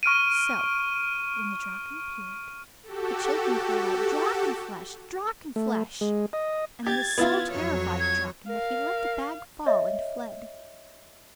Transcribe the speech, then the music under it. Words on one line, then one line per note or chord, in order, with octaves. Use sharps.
So, when the Draken appeared, the children cried out: 'Drakenflesh! Drakenflesh!' and this so terrified the Draken that he let the bag fall and fled.
C#6 F6 D7 D#7
F#4 G4 A4
A3
G#3
D#5
G4 G#6 A6
B3 E4 F4
F2 F#3 C#5
G#6
A#4 F5
C#5 D#5 E5